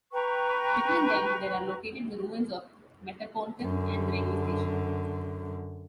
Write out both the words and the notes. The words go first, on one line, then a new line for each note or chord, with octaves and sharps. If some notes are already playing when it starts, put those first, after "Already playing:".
Between them there are located the ruins of Metapontum and the railway station.
B4 G5 A#5 C#6
F#2 D3